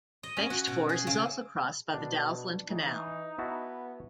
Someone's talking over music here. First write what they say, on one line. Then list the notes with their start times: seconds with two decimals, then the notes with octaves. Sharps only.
Bengtsfors is also crossed by the Dalsland Canal.
0.23 D#5
0.37 C#4
0.50 F#4
0.67 B2
0.89 G#4
1.07 C#3
1.94 B2 D4
2.70 E3 D#4
3.38 B3 E4 F#4 A5